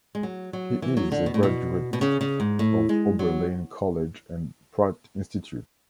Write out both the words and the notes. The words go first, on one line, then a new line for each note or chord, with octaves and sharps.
He is a graduate of Oberlin College and Pratt Institute.
G#3
F#3
F#3
E3
F#3
D3
B2
A2
B2
B2
C#3
C#3
G#2
A2
G#3
F#3